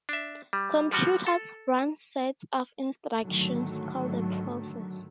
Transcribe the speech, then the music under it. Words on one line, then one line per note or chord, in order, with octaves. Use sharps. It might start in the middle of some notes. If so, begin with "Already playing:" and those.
Computers run sets of instructions called a process.
D4 E5
G3
F3 G3 F#4
A4
G#2 D3 D#3 F#3 A3